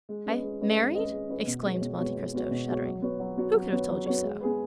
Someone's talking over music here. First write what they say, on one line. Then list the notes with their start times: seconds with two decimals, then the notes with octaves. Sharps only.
"I, married?" exclaimed Monte Cristo, shuddering; "who could have told you so?"
0.09 G#3
0.26 C#4 B4 D#5
0.43 G#3
0.60 C#4 B4 D#5
0.78 G#3
0.95 C#4 B4 D#5
1.12 G#3
1.29 C#4 B4 D#5
1.47 B2
1.64 G#3 B3 F#4 C#5
1.81 B2
1.98 G#3 B3 F#4 C#5
2.16 B2
2.34 G#3 B3 F#4 C#5
2.51 B2
2.68 G#3 B3 F#4 C#5
2.85 F#3
3.02 B3 F#4 C#5
3.20 F#3
3.37 B3 F#4 C#5
3.54 F#3
3.72 B3 F#4 C#5
3.89 F#3
4.06 B3 F#4 C#5
4.24 G#3
4.40 B3 G#4 B4